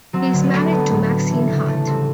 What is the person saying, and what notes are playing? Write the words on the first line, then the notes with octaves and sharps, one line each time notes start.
He is married to Maxine Hart.
F#3 C4
D3
B3
A3
F#3 B3
A2
A3
E3
C#3
A3
G3 C4